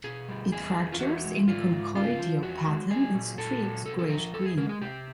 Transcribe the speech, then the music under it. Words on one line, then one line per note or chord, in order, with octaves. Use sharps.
It fractures in a conchoidal pattern and streaks grayish-green.
B2 G#4
G3
E2 G#4
E2
F4
E3 F#4
G#3
G#2 F4
G#2
C#3 F4
F3
E2 F#4
G#3
F#3 G#4
A#2
A#2 A4
F#3
C3 A4
A4
F3 A#4
F2 A4
G#4
G#3 A#4
G#4
C3 G4